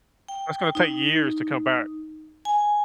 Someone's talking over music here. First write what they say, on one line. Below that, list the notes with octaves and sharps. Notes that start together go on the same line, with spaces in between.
that's gonna take years to come back.
G5
D#4
G#5